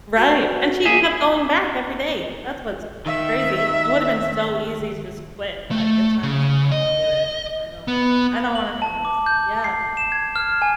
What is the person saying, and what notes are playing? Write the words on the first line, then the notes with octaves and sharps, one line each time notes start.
Right, and she kept going back every day, that's what's crazy. It would've been so easy to just quit and be like, "It's fine, someone else can do it. I don't I don't wanna handle this." Yeah.
F#4
F#4
A#3 G#4 E5
D#3 E5
A3
C#3
D#5
B3
F#7
A5
D6
G6
C7
E7
G#6
F6
G#5